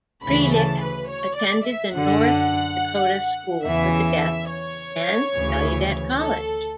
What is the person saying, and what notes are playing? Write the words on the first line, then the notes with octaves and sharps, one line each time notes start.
Frelich attended the North Dakota School for the Deaf and Gallaudet College.
D2 C#3 E3 B5
A5
B4
C#5
D5
E5
F#2 D3 F#5
E2 C#3 E3 E5
C#5
D2 C#3 E3
A4